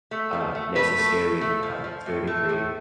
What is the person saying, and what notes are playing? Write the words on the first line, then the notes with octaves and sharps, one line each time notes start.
uh, necessary, um, to a degree.
A3
F3
A3
A3 B4
A3
A3
A3
F3
F3
A2
A3
A2